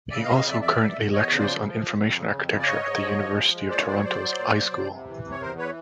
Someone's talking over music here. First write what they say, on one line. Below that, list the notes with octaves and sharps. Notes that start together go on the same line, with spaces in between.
He also currently lectures on Information Architecture at the University of Toronto's iSchool.
C#3 D5 E5
D#5 F5
C#3 E5
D#5 F5
F2 D5 E5
E2 D5 E5
E2
E2
E2 C#5 D#5
C#3
C5 D5
F3
F3
F2
F2
C#3
F2
C#3
D5
G#2 C#5 D#5
G#2
F3
F3
G#3
G#3
A#2 C5 D5
C#5
F#3 C5 D5
C#5
F#3 C5 D5
F#3
A#2
F#3
C3
C3
E3
C3
C#5
E2 A#4 C5
E3 B4 C#5